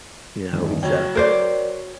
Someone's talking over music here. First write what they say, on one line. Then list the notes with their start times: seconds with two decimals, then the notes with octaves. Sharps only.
You know? It's a
0.53 E2 G2 D#3
0.83 F#4 C#5 G5
1.15 A#4 C5 D5